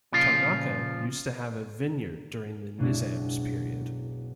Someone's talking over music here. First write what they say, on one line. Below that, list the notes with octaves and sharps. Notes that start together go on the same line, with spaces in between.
Tarnaka used to have a vineyard during the Nizams period.
A#2 C#3 F3 F4
F#1 B1 B2 G#3 D4 E4